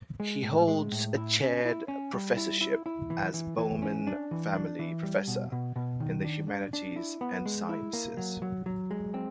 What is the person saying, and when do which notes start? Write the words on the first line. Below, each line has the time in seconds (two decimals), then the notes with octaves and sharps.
He holds a chaired professorship as Bowman Family Professor in the Humanities and Sciences.
0.20 G#3
0.43 A2
0.68 G#3
0.92 A2
1.17 E4
1.41 C#4
1.65 E4
1.88 C#4
2.13 G3
2.37 E4
2.61 E4
2.86 E4
3.10 E3
3.34 E3
3.58 E3
3.82 C#4
4.07 D4
4.31 E3
4.54 D4
4.79 E3
5.03 G3
5.28 B2
5.52 B2
5.76 B2
6.00 D#3
6.24 D4
6.48 D4
6.73 D4
6.96 E4
7.21 B3
7.46 G#3
7.69 E4
7.93 A#3
8.17 F#3
8.42 F#3
8.66 F#3
8.91 G#3
9.14 C4